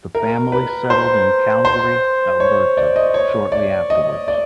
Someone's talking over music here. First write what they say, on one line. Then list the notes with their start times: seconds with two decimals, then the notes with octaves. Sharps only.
The family settled in Calgary, Alberta shortly afterwards.
0.15 A#4
0.52 B4
0.90 C5
1.65 C5
2.40 C#5
2.77 D5
2.96 D#5
3.14 C#5
3.52 D5
3.90 D#5
4.28 D5